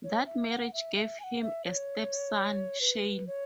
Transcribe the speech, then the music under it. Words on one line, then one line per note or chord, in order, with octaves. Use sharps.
That marriage gave him a stepson, Shane.
C#5
E5
F#5
E5
E5
G#5
F#5
E5
C#5
B4
C#5